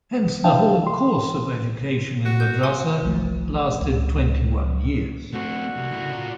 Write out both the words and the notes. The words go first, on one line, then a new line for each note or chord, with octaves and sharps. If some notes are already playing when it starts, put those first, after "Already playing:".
Hence, the whole course of education in madrasah lasted twenty-one years.
D4 E5 F5 G5 A5
C6
F#4
G6
G#5 C6
G1 C2 F3 A3
C#2
D3 A3 C4 F#4
C2
C#3 E4
F4 D5